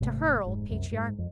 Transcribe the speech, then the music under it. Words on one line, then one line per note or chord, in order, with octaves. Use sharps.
To her, old patriarch!
G#1 C3 A3
F1 G#2
C2 F#2
G#2
F2